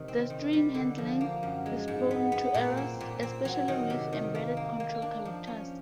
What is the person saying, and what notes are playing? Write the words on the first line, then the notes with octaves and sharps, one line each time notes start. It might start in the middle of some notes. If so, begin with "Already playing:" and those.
The string handling is prone to errors, especially with embedded control characters.
Already playing: C3 D#3
C4
D#3
G3
D3
F3
A#3
F#2
G#3
G#2
B3
B3
A#2
C4
A#2
C4
F#3
D#3
C3
D#3
A#3
A#3
A#3
D4
F3
C#4